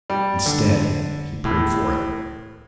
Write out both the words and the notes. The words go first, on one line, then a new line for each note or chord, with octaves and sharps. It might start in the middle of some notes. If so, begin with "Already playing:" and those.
Instead he prayed for it.
G3
D3
A2